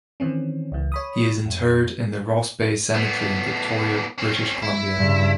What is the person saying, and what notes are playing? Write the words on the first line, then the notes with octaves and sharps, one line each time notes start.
He is interred in the Ross Bay Cemetery in Victoria, British Columbia.
D#3 E3 C4 C#4
C#2 E3
C#5 B5 D#6
F2
A2 B3
C4 C#4
E4
G2 C#3